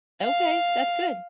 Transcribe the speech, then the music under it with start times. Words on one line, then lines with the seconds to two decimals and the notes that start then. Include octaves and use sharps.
Okay, that's good.
0.23 F5